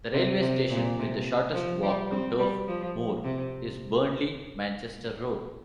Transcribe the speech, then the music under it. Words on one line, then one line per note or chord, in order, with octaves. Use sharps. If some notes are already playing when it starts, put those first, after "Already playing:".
The railway station with the shortest walk to Turf Moor is Burnley Manchester Road.
C3
C3
A#2
C3
F3
G3
C4
G3
F3
C3